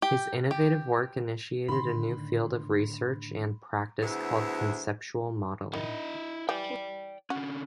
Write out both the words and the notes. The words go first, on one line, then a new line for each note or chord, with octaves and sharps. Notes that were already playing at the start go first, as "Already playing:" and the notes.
His innovative work initiated a new field of research and practice called Conceptual Modeling.
G4
G4
A2 D3 D#3 B5 C6
D2 D3 B3 E4 G#4 C5
D#3 E4 D#5
E3 G4 D5 G5
D3 C#4 F#4